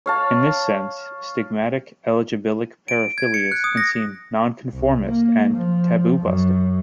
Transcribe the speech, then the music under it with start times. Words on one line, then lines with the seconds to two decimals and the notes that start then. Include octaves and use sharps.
In this sense, stigmatic-eligibilic paraphilias can seem 'non-conformist' and 'taboo-busting.
0.06 C#5 F5 A5
2.88 D7
3.18 G#6
3.34 C#7
3.52 F#6
3.64 D#6
3.77 A#6
4.74 C2
5.04 A#3
5.54 F3
6.21 F#2